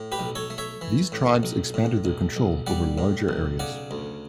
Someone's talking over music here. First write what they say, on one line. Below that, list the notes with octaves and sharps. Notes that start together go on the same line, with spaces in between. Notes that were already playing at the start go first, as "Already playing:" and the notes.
These tribes expanded their control over larger areas.
Already playing: A2
G4 B4
B1
A4 C#5
A3
C#5 E5
E3
A2
B1
A2
B1
B1
G3 D5 F#5
A2
B1
C#3 D5 F#5
D2